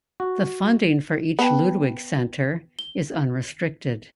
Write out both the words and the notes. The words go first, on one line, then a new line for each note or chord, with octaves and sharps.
The funding for each Ludwig Center is unrestricted.
F#4
B3 G5 A5 B5
G7